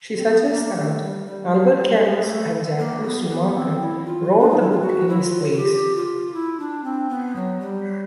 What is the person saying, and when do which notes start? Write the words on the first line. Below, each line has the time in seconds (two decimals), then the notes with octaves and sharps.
She suggests that Albert Camus and Jacques Lemarchand wrote the book in his place.
0.17 C4
0.25 B3
0.45 B3
0.50 A#3
0.76 A3
1.01 G3
1.27 G3
1.52 F#3
1.78 G3
2.02 G#3
2.21 A#3
2.27 A3
2.79 A#3
3.04 B3
3.25 C4
3.29 B3
3.55 C4
3.80 E4
4.05 F4
4.40 D4
4.50 D#4
4.60 E4
4.72 F4
4.81 F#4
5.09 E4
5.20 F4
5.53 F#4
5.57 G4
5.95 F4
6.34 E4
6.59 D4
6.84 C4
7.10 B3
7.36 F#3
7.60 G3